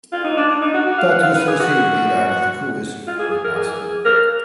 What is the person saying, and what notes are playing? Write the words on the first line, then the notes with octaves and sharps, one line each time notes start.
But to associate Baydar with the coup is impossible.
F4
D#4
D4
D4
D#4
F#4
F#4
F5
F#5
F5
B4
G#4
F#4
F4
G#4
G#4
A#4
G#4
A#4